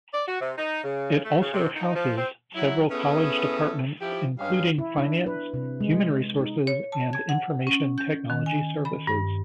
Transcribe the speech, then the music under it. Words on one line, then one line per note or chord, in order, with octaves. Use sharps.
It also houses several college departments including finance, human resources and information technology services.
D5
F#4
C3
D#4
C#3
A3
C#3
C3
D#4
F3
C4
F#3 E4
B3 C#4 E4 G#4 A4 B4
F3 E4 G4
G2 G3 G#3 C#4 F5
E4
D4
B4
C3
G#3
D#4
C#5
A5
G#6
F#5
C#4
G6
D#3
G#5
B5
G2